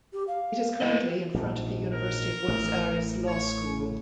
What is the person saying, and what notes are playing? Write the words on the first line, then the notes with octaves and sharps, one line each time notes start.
It is currently in front of the University of Buenos Aires Law School.
G4
F5
E4 B4 D#5
A#1 G#2
A#4
A1
C#5